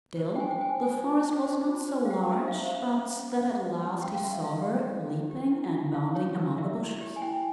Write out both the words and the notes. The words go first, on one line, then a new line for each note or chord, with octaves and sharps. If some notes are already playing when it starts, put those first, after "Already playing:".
Still, the forest was not so large, but that at last he saw her, leaping and bounding among the bushes.
C5
G5
C5 G#5
G5
C5 G#5
C5 G#5
F4
C5
C5
F4
C5
F5
C5 G5
C5 E5
F5
C5 E5
C#4
C#4
C#4
C#4
C#4
C#4
C#4 G5
F5
C#4 E5
C#4 F5
G4
E4
C#4
G4
E4
E4
A#4 F5
G4 C#5
A#4
A#4 E5
E4
G4
G#5
E4 G5